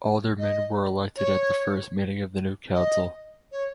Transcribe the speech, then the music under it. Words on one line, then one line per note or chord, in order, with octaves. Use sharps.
Aldermen were elected at the first meeting of the new council.
D#5
C#5
D#5
C#5